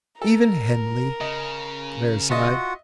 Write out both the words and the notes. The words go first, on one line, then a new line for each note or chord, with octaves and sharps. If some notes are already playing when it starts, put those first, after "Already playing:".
"Even Henley!" Clare sighed.
A4 A#4
C#3 D#5
F4 F#4 D#5 E5 F#5